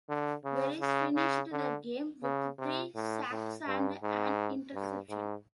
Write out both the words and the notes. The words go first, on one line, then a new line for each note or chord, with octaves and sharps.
Veris finished the game with three sacks and an interception.
D3
C#3
C#3
C#3
D3
C#3
C3
A2
A2
G2
G#2
G2
G#2